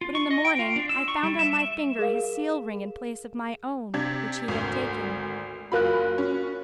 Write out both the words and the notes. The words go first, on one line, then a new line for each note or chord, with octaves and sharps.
But in the morning, I found on my finger his seal-ring, in place of my own which he had taken.
F4
C#6
D#5
G5
F4
D4
E6
C#6
G3
E5
E5
G#4 A#4 F5
C3 D4 G#6
G#1 D2
F#1 F4 F#4 A#4 B5 F#6
C#4